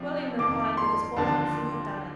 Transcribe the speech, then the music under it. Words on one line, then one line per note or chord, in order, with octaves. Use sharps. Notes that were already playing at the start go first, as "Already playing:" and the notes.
William replied that his boy Humphrey had done it.
Already playing: C3 F3 D4 G4
F2 D#3 A#3 D6
C6
D#2 D3 F3 A5